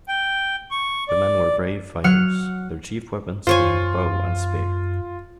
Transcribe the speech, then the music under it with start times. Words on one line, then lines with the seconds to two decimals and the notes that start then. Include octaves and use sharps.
The men were brave fighters, their chief weapons being the bow and spear.
0.08 G5
0.71 C#6
1.09 D5
2.04 F#3 F#5 F6 C#7
3.47 F#2 F4 C5 C#5 G#5